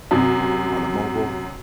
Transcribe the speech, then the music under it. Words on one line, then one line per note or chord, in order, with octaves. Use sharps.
on the on the mobile.
F#2 C3